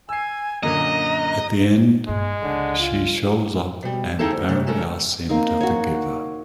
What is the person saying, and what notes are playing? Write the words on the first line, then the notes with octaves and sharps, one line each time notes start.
At the end, she shows up and apparently asks him to forgive her.
G#5 E6 C7
F#2 A#2 D3 D#5 A#5
G2 G#3
C#2 D3
F4
B2 G3
C4 D#4 E4 G#4 A4 A5
D2
C3 A3
G#3 A3 C#4 A4 A#4
A#3 C4 D#4
F#4 C#5